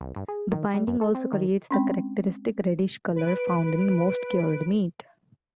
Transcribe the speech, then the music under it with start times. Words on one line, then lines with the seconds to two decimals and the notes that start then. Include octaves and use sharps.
The binding also creates the characteristic reddish color found in most cured meat.
0.01 C2
0.16 G2
0.28 G#4
0.52 D#3
0.74 G3
0.87 F#2
1.01 A4
1.15 C4
1.33 D#3
1.71 G#3 C4 C#4
3.16 B4 D7